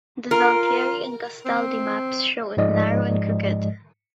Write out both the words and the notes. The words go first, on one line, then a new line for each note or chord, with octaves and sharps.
The Zaltieri and Gastaldi maps show it narrow and crooked.
F4 A#4
C4
G#2 F3 G#3 D5 D#5